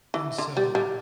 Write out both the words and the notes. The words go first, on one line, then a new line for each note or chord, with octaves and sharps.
and so
E3
D3
G3
G3